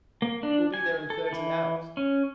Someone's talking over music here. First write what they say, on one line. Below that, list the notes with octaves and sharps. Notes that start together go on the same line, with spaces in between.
We will be there in thirty hours.
A#3
D4
G#5
A4
E3
C#4